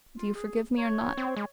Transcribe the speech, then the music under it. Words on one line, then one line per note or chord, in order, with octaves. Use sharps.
Do you forgive me or not?
F4
G#4
C#5
C4
G#3